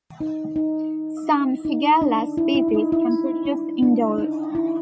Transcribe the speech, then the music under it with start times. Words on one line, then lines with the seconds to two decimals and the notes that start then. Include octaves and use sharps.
Some "Shigella" species can produce indole.
0.21 D#4
0.56 D#4
1.65 D#4
2.02 D4
2.37 E4
2.55 E4
2.68 E4
2.74 D#4
2.92 E4
3.45 D4
3.82 D4
4.18 D#4
4.55 E4